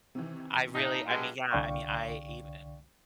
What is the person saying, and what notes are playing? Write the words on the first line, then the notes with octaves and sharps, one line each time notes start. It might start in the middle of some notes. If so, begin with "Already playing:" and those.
I really I mean, yeah, I mean I even
C3 D#3 E3
A#2 D#4 E5 A5
G2 F#3 G#3
C2 D3 D5 F5 G5 C#6